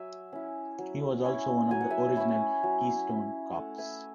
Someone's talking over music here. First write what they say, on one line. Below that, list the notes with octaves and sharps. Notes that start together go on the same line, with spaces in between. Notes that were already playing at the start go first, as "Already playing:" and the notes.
He was also one of the original Keystone Kops.
Already playing: F#3 E5 G#5
C#4 E4
F#3
C#4 E4
F#3 G#5
F#5
E5 G#5
C#4 E4
F#3
C#4 E4
A3 F#5 A5
E5 G#5